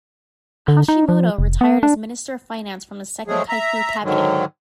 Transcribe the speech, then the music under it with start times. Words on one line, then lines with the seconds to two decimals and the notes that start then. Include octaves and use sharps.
Hashimoto retired as Minister of Finance from the Second Kaifu Cabinet.
0.68 D3
0.88 D#4
1.09 F3
1.39 F1
1.61 B3
1.83 D4
3.27 F3 F#3 G#3 A3 G#4
3.49 E5 A#5
4.03 G#2 D3 D#3 F#3